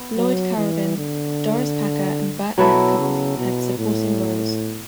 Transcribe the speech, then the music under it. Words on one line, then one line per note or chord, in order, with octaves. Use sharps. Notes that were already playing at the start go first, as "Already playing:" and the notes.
Lloyd Corrigan, Doris Packer, and Burt Metcalfe had supporting roles.
Already playing: B3
F#3
E3
D3
B2 F#3 B3 E4 A4
C#3
B2
A2